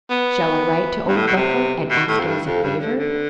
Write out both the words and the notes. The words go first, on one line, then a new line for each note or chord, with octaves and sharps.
"Shall I write to old Buffle, and ask it as a favour?"
B3
G2
A2
B2
C3
B2
A2
F2
G2
F2
G2
D3
D3